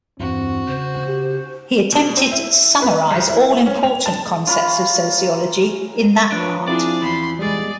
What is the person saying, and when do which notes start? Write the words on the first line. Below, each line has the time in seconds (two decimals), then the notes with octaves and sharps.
He attempted to summarize all important concepts of sociology in that part.
0.20 E2 G2 C4 F#4
0.68 C#3 C5
1.07 G4
1.92 B2
2.17 C4
2.32 E4
2.82 B4
3.11 C2
3.29 E4
3.66 C#4
3.83 F7
4.06 A5
4.47 C#4 F4 A#4 B5
6.32 F3 D4 B4 C#5
6.68 C4 D4 E4 F4 G#4 D5
7.03 E2 B5 C6
7.39 G3 G#3 G#4 D5